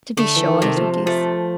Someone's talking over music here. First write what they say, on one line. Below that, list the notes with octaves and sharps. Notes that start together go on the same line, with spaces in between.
'To be sure, little goose.
D3 A3
E3
D#3
C3
F3
F3 A3